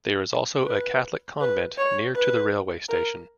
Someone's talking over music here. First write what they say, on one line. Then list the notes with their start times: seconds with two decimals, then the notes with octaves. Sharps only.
There is also a Catholic convent near to the railway station.
0.66 B4
1.40 B4
1.78 C#5
2.15 B4
2.89 A#4